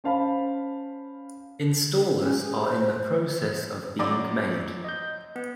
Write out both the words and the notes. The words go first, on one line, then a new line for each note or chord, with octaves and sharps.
Installers are in the process of being made.
C#4 C5 F5 A5 B5
C#4
G#4
C5
F#2 D5
D#5 G6
B3